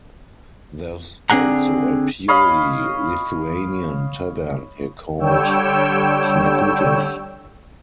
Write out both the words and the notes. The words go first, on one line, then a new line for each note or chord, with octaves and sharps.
There’s also a purely Lithuanian tavern here called Šnekutis.
D3 C4 D4 G#4 F#5 A#5
C#5 D#5 F5 B5
D3 G3 C#5 G5 E6